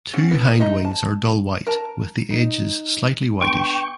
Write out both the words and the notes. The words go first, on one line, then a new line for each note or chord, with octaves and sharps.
Two hind wings are dull white with the edges slightly whitish.
C4 C#4 F#5
B3 E4
D#4 D#5 E5
A5
A#4 A5 A#5
D#4
B3 D4 G5 C6 C#6